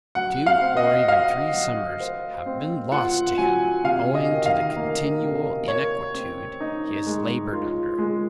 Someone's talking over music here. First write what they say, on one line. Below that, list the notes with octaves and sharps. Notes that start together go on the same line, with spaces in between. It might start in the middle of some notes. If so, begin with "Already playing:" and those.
Two, or even three, summers have been lost to him, owing to the continual inquietude he has laboured under.
F#3 F#5
F5
C4
D#5
F#4 F5
F#3
C5
C4
F4 F#5
F#3 G#5
C3 F5
D#5
D#3
F5
A#3
C3
A#4 C#5
C4
D#4
G#3
F4
G#3